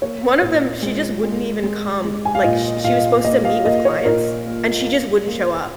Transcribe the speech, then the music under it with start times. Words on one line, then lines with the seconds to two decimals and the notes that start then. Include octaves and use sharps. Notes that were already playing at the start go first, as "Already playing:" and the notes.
One of them, she just wouldn't even come. Like, sh she was supposed to meet with clients, and she just wouldn't show up.
0.02 A#3 C#5
0.42 A#2 C#5
0.82 G#3
1.23 G#3
1.63 G#3
2.04 G#3
2.25 G#5
2.35 F5
2.44 A#2 D#5
2.84 A#2 F5
3.24 A#3 D#5
3.45 F5
3.65 A#3 D#5
3.85 C#5
4.05 A#2 A#4
4.46 A#3
4.86 A#3
5.27 A#3